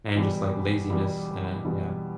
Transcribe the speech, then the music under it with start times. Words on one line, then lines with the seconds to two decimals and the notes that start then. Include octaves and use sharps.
and just like laziness in it, yeah.
0.15 E2 B2 G3
0.90 E2 B2 G3
1.65 E2 B2 G3